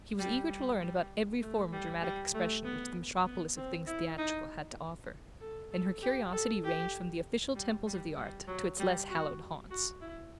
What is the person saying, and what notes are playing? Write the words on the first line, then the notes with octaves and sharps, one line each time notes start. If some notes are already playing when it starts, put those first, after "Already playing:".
She was eager to learn about every form of dramatic expression which the metropolis of things theatrical had to offer, and her curiosity ranged from the official temples of the art to its less hallowed haunts.
G3
G3
G3
A3
G3
G3
A3
B3
B3
C4
E4
D#4
A4
A4
G4
A4
G4
G3
G3
G3
F#3
G3
F#4
F#4
E4